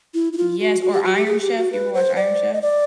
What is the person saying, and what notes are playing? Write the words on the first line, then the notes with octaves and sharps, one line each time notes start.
Yes, or Iron Chef, you ever watched Iron Chef?
E4
E4
F4
F#4
F#4
G4
F#4
G4
G#4
G4
F#4
B4
C5
D5
D#5
D5